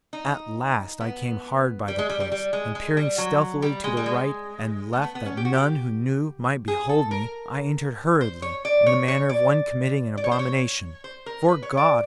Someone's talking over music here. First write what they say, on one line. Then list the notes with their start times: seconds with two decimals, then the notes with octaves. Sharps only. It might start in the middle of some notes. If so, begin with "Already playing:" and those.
At last I came hard by the place, and peering stealthily to the right and left that none who knew might behold me, I entered hurriedly, in the manner of one committing an abomination. 'Fore God!
0.13 D#4
1.00 B3
1.88 G3
1.99 G#3
2.09 G3
2.20 G3
2.32 G3
2.53 G#3
2.75 G#3
2.97 G3
3.18 F#3
3.62 G3
3.84 G#3
3.97 G3
4.06 G#3
4.93 A3
5.04 B3
5.15 B3
5.26 C#4
5.37 G4
5.45 F#4
5.54 G4
6.68 G#4
6.89 A4
7.11 A#4
8.21 C5
8.42 C#5
8.65 D5
8.86 C#5
9.08 C#5
9.29 D5
10.17 D5
10.24 C#5
10.31 C5
10.39 C#5
11.04 C5
11.26 A#4
11.48 B4
11.62 C#5
11.77 D5